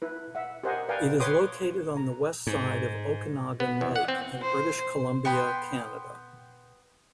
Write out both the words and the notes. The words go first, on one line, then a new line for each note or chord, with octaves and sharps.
It is located on the west side of Okanagan Lake in British Columbia, Canada.
E4 B4
E5 F#5
G4 A#4 C5 D#5 F#5 G#5
B4 D5 F5 G5 G#5 A#5
B4 C#5 G5 C6 D6 D#6
A#5
G#2
B3
E2
F#5
C4
C5
B3 G5 B5 C6